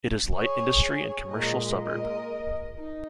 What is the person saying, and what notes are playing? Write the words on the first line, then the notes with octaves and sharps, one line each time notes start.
It is light industry and commercial suburb.
G#4 C#5
A#2 G#3 A#4 D#5
A#4 D#5
D#4